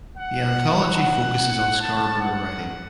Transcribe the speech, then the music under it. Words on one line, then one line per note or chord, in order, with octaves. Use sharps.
The anthology focuses on Scarborough writing.
F#5
F#5
A5
F#5